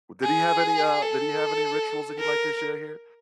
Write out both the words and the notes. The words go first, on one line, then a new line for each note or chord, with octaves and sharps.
W did he have any, uh, did he have any rituals that you'd like to share here?
G#4
A4
A#4